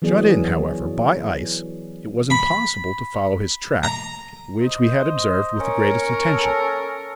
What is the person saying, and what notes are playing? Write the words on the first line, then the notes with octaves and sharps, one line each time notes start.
Shut in, however, by ice, it was impossible to follow his track, which we had observed with the greatest attention.
E3 F#3 B3 G#4 D5
B5
A#5
C5 D#5
C#4 A#4 C#5
A4